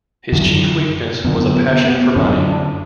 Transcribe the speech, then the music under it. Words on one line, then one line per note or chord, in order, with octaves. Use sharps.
His chief weakness was a passion for money.
F#2 D3
F#2 D3 B3
B3
B3
F#2 D3 C#4
D4